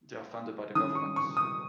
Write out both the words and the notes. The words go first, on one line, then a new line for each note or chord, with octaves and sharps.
They are funded by the government.
D#3 C#4 D#6
C#6
C#6
D#6